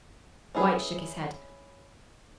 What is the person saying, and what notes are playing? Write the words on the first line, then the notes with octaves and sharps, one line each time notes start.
White shook his head.
C#4 E4 G#4 B4